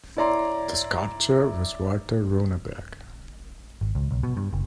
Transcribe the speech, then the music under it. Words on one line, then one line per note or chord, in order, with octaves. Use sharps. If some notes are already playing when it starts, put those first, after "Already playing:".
The sculptor was Walter Runeberg.
E4 C#5 D5 A#5 C6
G#1
C#2
B1
B2
G2
F#1